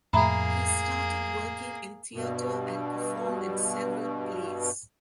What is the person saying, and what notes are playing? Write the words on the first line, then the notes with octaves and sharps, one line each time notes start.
He started working in theatre and performed in several plays.
F2 A2 A#3 G#4 E5 A#5 B5
G2 B2